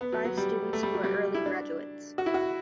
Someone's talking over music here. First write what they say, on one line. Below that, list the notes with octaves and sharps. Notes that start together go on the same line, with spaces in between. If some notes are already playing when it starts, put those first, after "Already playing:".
Five students were early graduates.
B3
F#3
F#3
G3
A3
G3
F#3
G3
E4
D4
F#4
E4
F#4